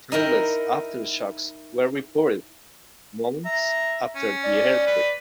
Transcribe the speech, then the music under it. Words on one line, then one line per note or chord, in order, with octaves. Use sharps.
Countless aftershocks were reported months after the earthquake.
D#4 E4 A#4 G5
E5 A#5
C#4
D5
B4